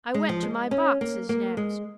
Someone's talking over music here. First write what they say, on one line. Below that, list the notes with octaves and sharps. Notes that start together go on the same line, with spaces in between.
I went to my boxes next.
G#3
F3
G#3
C#4
A#3
A#3
G#3